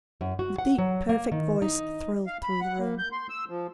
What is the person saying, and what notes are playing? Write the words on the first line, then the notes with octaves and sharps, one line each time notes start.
The deep, perfect voice thrilled through the room.
F#2
F#4
F#5
F#3
A#3
D#3
D#4
F5
B5
F#5
A#3
G6
C6
E6
F3